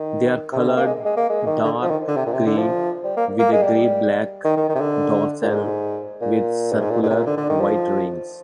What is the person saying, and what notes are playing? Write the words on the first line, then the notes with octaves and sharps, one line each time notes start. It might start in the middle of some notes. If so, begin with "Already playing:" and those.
They are coloured dark gray, with a gray-black dorsal with circular white rings.
Already playing: D#3
C3
D3
C3
A#3
G#3
G#3
A#3
G#3
D#3
D3
F3
D#3
D3
C3
A#2
C3
D3
F3
G3
A#3
A#3
G#3
G3
D#3
D#3
D#3
C3
D3
A#2
G#2
A#2
G2
G#2
A#2
G#2
C3
A#2
D3
D3
D#3
F3